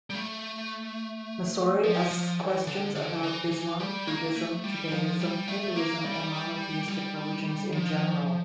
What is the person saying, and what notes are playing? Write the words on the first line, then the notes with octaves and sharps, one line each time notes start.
Messori asks questions about Islam, Buddhism, Judaism, Hinduism, and monotheistic religions in general.
G3
A3
F3
F3
E3
D3
D3
E3
E3
G3
A#3
A3
G3
F3
G3
A3
A#3
G3
G3
F3